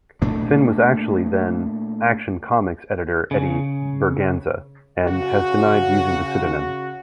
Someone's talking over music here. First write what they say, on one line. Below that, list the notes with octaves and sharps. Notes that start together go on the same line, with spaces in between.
Finn was actually then-"Action Comics" editor Eddie Berganza, and has denied using the pseudonym.
A#2 A3 D4
C#3
C#3 F#4